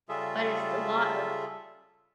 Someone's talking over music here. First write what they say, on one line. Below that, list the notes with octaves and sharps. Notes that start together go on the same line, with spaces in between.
but it's st a lot of
C#3 G3 F4 G#4 A4 E5